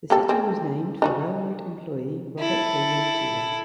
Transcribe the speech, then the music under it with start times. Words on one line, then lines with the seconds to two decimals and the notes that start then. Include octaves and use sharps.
The city was named for railroad employee Robert William Pooler.
0.10 A#3 G4 A4
0.29 C4 G#4
1.02 D4 D#4 F#4
2.39 E4 A4